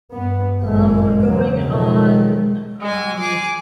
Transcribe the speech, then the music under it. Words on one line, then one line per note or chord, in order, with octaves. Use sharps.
Um, we're going on, um
G2 B3
G#1 F#2 A#2 G#3
E2 C#3 F#3 A#3
B2 D#3 F3 F#3 G#3
G#3 G#5
G#4 D6